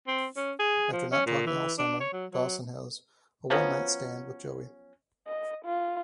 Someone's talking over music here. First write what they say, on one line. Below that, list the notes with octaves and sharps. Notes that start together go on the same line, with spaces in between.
After not talking all summer, Dawson has a one-night stand with Joey.
C4
C#4
G#4
F3
C#4
A#2
E3
D4
C#5
F#3
F#3
F3 F#3 B3 C#4
D#5
F4